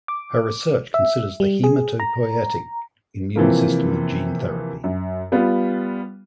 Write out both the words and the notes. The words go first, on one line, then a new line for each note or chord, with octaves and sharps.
Her research considers the haematopoietic immune system and gene therapy.
D6
E5
G3
G#4
A#5
C3 E3 F3 A#3
F#2
G3 B3 F4